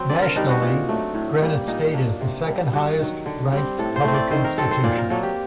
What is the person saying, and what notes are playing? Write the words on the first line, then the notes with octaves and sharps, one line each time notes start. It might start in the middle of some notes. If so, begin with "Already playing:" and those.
Nationally, Granite State is the second-highest ranked public institution.
Already playing: F#3 C4
D3 D5
A#4
G3 D4 D#4
F#4
A#2
F#3 A3
A2
G3 A#3
A#2 D#4
F#3 A#3 D4
C3
G3 A#3 D4
G2 F#4
D#3 F#3
D3
G3 C4
A2 A4
C5
A3 C4
D5
D#3 C5
A#4
F#3 C4 A4
C5
A#2 D5
A#4
F#3 A#3 A4
G4